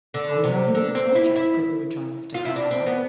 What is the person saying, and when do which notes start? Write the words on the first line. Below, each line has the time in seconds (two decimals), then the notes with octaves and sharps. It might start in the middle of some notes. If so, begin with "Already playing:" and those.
"How do you know he was a soldier?" quickly rejoined Mr. Carlyle.
0.14 D3
0.44 C3
0.75 D3
0.95 C4
1.15 E4
1.36 E4
2.34 F4
2.45 E4
2.56 D4
2.71 C4
2.86 B3